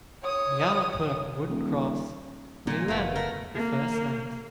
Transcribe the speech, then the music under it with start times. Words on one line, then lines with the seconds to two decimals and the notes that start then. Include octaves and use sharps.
Ayala put up a wooden cross where he landed the first night.
0.23 C#5 D#6
1.49 D#1
2.67 A#2 G3 A#3 G#5
2.88 F1 A#3 B3
3.15 A3 A#4
3.55 A#3